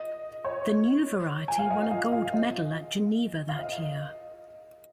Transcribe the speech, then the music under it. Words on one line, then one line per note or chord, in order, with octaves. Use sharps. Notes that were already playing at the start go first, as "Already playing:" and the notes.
The new variety won a gold medal at Geneva that year.
Already playing: D#5
C#5
G#5
F5
D#5
F4 F5
F4 F5
D#5
F5
D#5